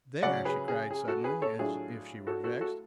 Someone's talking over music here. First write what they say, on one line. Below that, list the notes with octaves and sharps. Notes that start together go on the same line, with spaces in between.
"There!" she cried suddenly, as if she were vexed.
C#3 F#3 C#4 D5 F#5
G#4 B4
G#4
G#4
F#4 A4
G#4 B4
A4 C#5
A2 F#3 A3 D4 F4 G#4
F#4 A4
F#4 A4
F#4 A4